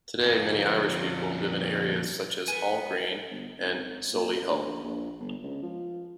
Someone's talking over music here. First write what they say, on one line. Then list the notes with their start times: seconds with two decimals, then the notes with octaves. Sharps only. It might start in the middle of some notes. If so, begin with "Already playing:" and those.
Today many Irish people live in areas such as Hall Green and Solihull.
0.21 F2 A#2
2.48 B3 B4 G#5
3.31 G1
3.58 G#1
4.12 A#2
4.49 D2
4.66 A#1
4.83 A#1
5.20 G1
5.43 C#2
5.63 F3